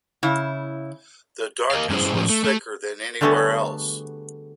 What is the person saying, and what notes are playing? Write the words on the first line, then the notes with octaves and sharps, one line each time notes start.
The darkness was thicker than anywhere else.
C#3 E4
A#4 D#5 F5
G2 G3 C#4 E4 G#4 C5
A2 F3 C#4
A3
A3
D3 G3 A3 B3 F#4 G#4